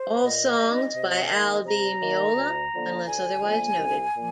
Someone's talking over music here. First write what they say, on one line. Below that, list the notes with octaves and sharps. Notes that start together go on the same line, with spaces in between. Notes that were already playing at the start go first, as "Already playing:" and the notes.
All songs by Al Di Meola unless otherwise noted.
Already playing: C5
A#2 D#5
G3 C4 D#4
C3
D#3 A#3 D#4
C3 A#5
D#3 A#3 D#4
D2
D3 F3 A#3
D2 G#5
D3 F3 A#3
C2
A#2 F3 A#3